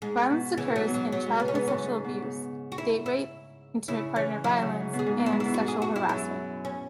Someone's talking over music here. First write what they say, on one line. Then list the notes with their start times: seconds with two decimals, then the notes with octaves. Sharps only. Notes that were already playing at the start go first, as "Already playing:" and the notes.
Violence occurs in childhood sexual abuse, date rape, intimate partner violence, and sexual harassment.
0.02 G#2 G#3
0.30 B2
0.57 C#3 E3
0.67 B2
0.76 G#2 F#3
0.88 B2
0.94 F#3
1.12 B2 F#3
1.26 G#2
1.40 C#3 B3
1.48 C#4
1.54 G#2 B3
1.67 F#2 C#4
1.86 G#2
2.04 B2
2.22 C#3
2.72 F#4
2.78 E4
3.06 E4
3.88 C#3 E4
4.16 E3 C#4
4.44 F#3 E4
4.62 C#3
4.80 G#2
4.93 B2
4.99 G#4
5.06 G#2
5.19 B2
5.26 E4
5.32 G#2
5.40 E4
5.45 B2
5.54 G#2 F#4
5.68 G#4
5.82 F#4
5.96 E4
6.09 F#2 E4
6.65 C#4